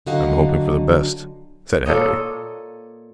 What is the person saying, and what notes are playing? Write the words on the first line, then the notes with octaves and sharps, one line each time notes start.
"I'm hoping for the best," said Harry.
D3 F#3 F#4 D#5 F5 G#5
A#2 A4 C#5 D#5